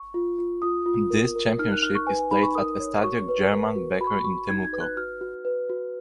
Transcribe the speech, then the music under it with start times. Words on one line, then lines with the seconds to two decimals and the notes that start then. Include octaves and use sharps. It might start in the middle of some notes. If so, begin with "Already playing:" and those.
This championship is played at Estadio German Becker in Temuco.
Already playing: C#6
0.14 F4
0.38 F4
0.62 F4 D#6
0.86 F4
1.10 A#4
1.35 A#4
1.59 D#4 F6
1.72 F#6
1.83 D#4 F6
1.95 C#6
2.07 B4 G#5
2.19 G#5
2.31 D#4 B5
2.43 C#6
2.55 A#4 D#6
2.80 C#5
3.04 F#4 C#6
3.29 B4
3.52 A#4
3.76 F#4
4.01 F#4 B5
4.07 C#6
4.12 B5
4.24 F#4 C#6
4.49 D#4 G#6
4.65 G#6
4.73 B4
4.81 F#6
4.97 F#4 F6
5.21 F#4
5.45 B4
5.69 F#4